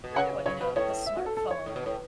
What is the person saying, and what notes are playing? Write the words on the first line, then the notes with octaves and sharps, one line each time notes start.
another one, you know, the smartphone,
B2
C#3 F#5
C#3 C#5
B2 B4
A2 C#5
E5
F#4
A4
A4
C#5
A2
B2
A2